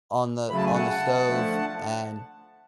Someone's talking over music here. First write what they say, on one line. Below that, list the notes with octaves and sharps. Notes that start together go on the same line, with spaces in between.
on the on the stove and
C#3 F#3 A3 B5
A5
G#5
F#5 A5
D3 F3 A3